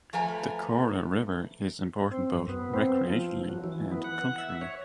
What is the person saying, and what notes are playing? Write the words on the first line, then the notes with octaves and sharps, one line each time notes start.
The Caura River is important both recreationally and culturally.
F3 A3 B4 G#5 A#5
C4
F#2
B3
C4
F3
F#3
E3
B3
F#5
E5
C#5